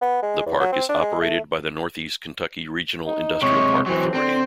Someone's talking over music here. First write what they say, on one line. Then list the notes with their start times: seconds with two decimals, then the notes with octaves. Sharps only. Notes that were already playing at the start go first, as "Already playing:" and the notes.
The park is operated by the Northeast Kentucky Regional Industrial Park Authority.
0.02 B3
0.23 G#3
0.46 E2
0.60 F#3
0.72 C4
0.89 D4
1.01 G#3
1.21 A3
3.05 D#4
3.42 C3 G#3 C#5
3.86 E3 F#3 C4
4.14 D3 C4